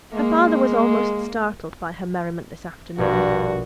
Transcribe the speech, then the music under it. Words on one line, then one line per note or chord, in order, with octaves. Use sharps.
Her father was almost startled by her merriment this afternoon.
G#3 A#3
A#1 G2 B2 F#4